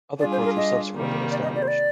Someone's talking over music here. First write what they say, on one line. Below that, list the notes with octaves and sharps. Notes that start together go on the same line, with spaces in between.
Other courts were subsequently established.
G3 D4 F4 G#4 D5
C5
A#4
D#5
C3 D#3 G3 A#3
D5
D#5
D5
C5
D5